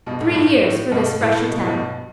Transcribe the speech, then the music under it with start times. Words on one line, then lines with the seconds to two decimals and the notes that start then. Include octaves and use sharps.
Three years for this fresh attempt.
0.06 G2 B2
0.20 A2
0.29 G2
0.35 A2
0.63 A2
0.91 G2 B2
1.20 A2
1.35 A2
1.48 B2
1.58 A2
1.67 G2 B2